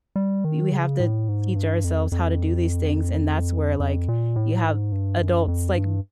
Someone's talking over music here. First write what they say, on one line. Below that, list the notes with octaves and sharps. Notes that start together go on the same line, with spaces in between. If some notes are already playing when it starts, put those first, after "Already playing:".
we have to teach ourselves how to do these things, and that's where, like, you have adults like
G3
D#3
C#3
A2
G#2
G2
F2
F2
F2
A#2
A2
G#2
G2
F#2
F2
G2